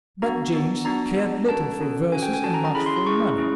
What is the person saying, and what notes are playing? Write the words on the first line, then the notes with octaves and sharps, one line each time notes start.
But James cared little for verses and much for money.
B3 D4 F#4 A#5
B3 D4 F#4
B3 D4 F#4 A#5
B3 D4 F#4
C#4 F#4 A4 A5
C#4 F#4 A4
C#4 F#4 A4 G#5
G5
G#5
C#4 F#4 A4 A5
A#5
A#5
C#4 E4 G#4 B5
C6
C6
C#4 E4 G#4 C#6
C#4 E4 G#4